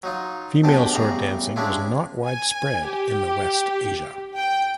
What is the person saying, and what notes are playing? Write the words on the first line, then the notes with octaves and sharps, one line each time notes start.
Female sword dancing was not widespread in the West Asia.
F#3 D#4 F4
C#2 F#2 B2 D3 G4 A5
A1 E2 C#3 G3 A#5
G3 G#3 C#4 D4 E4 F4
G#5
G4
G5